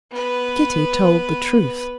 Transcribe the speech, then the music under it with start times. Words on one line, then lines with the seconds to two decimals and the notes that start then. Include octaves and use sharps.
Kitty told the truth.
0.11 B3 B4